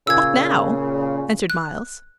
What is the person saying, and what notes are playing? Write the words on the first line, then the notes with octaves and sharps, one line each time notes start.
"Not now," answered Myles.
A#2 C#3 E6 G#6
F#6